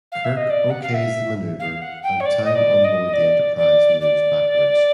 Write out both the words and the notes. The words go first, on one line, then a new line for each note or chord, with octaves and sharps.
Kirk okays the maneuver, and time on board the "Enterprise" moves backwards.
F5
E5
D#5
D5
F#5
F5
E5
F5
F#5
G5
C#5
D5
D#5
D5
D#5
D5
D5
D5